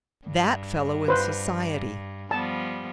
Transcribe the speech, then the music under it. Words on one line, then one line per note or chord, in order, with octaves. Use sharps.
"That fellow in Society!"
G2
B4 C5
F3 G3 B3 A5